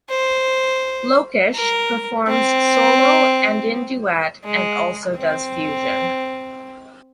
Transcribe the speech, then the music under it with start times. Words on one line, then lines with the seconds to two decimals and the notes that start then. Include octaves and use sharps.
Lokesh performs solo and in duet and also does fusion.
0.10 C5
1.55 A#4
2.28 C4
4.45 G#3
5.17 C4